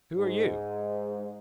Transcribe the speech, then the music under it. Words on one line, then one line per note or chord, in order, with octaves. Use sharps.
"Who are you?"
G#2